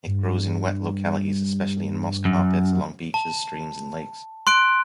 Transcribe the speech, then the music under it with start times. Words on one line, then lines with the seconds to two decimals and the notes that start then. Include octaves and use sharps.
It grows in wet localities, especially in moss carpets along beaches, streams and lakes.
0.06 G2
2.25 F#2
3.14 A5
4.47 C6 F#6 D7